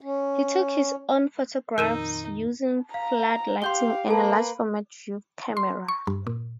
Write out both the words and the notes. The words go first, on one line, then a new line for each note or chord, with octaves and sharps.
He took his own photographs using flood lighting and a large format view camera.
C#4
F2 A#2 D#3 D#4 A#4 E6 D#7 E7
F5 A#5
G4 F5 C6 G6 G7
A#3 A4 B4 A5
C6
C#6
G2
A#2